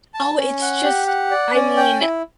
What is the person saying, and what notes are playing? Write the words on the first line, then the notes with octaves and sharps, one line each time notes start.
oh, it's just I mean,
A5
C#4
F#5
G4
F#5
D5
C#4
G5
E4